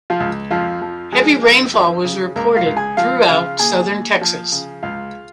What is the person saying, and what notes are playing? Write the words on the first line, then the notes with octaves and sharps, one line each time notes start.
Heavy rainfall was reported throughout southern Texas.
F3 F4
C#2
F2 F3 F4
F3
F3 G#3 G#4
F2
F3
C#3
C#2 A#3 A#4
F4 F5
C#2
G#4 G#5
F3 F4 F5
C#3 F4 F5
D#2 G#4 G#5
D#2
F3
C#3
C#2 F4 F5